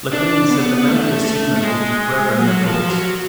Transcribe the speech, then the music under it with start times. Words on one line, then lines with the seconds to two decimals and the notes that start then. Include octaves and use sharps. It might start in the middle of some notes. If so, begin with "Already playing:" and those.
Locane said the memory of Seeman will be forever in her thoughts.
0.13 D4
0.50 B3
0.88 A3
1.25 A3
1.57 A3
1.63 G#3
2.39 F#3
2.63 F3
2.89 F#3